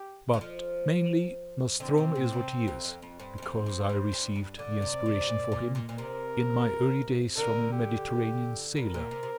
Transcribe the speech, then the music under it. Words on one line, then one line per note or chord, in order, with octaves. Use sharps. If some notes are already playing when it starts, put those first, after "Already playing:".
But mainly Nostromo is what he is because I received the inspiration for him in my early days from a Mediterranean sailor.
Already playing: G4
D3
F3
D3 C4
C3
A#2
C3
F2
F2
F2
G2 C5
G2
F2
G2
G2
G2
G2
D3 D5
C3
C3
G2
A#2
A#2
A#2
A#2
C3 A#4
D3 A#4
G4
G2 A#4
A#2
C3
C3